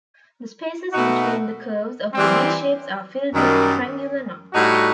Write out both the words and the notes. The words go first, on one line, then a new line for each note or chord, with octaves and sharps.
The spaces between the curves of the "D" shapes are filled with triangular knots.
B2 A3 D#4 F#4
E3 G3 C4
F#2 D#3 G3
A2 G3 D#4 F#4